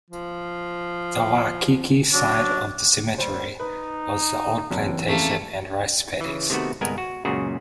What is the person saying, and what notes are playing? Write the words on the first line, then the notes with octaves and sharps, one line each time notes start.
The Waikiki side of the cemetery was the old Plantation and rice paddies.
F3
F#3 D4
G3 C5
D#4 B4
F#1 E3 C4
F2 C#3 A3 A#3
C#3 E3
C3 D#3 A3 B3 F#4
G1 C2 G#3 B3 A#4 G#5
F#4
C#2 F#2 A#2 C#3 F#4 G#4